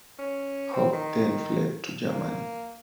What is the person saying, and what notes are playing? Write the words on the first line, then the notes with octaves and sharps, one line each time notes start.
Hopp then fled to Germany.
C#4
C4
D#3
A#3